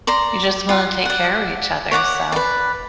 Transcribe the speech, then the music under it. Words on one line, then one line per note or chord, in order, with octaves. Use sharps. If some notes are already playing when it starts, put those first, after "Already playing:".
you just wanna take care of each other, so
D5 A#5 C6
F4 F#5
D5 F#5
C#5 F#5 A5 D6
B4 D5